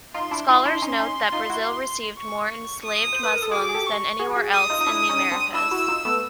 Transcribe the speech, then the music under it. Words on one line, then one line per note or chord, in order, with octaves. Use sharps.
Scholars note that Brazil received more enslaved Muslims than anywhere else in the Americas.
D#4 F4 C6
D4 E4
D#4 F4 C6
D4 E4
C#4 D#4
C#4 D#4
D#4 F4
E4 F#4
C#6
D#6
C5
B4
A#4
A4
F#4 G#4 D6
G#4
G4 A4
C#6
F#4 G#4
F#4 G#4
D#6
D#4 F4
D#4
D4 E4
C#4 D#4
C4 D4
D4 E4 E6
E4 F#4
D#4 F4
A3 B3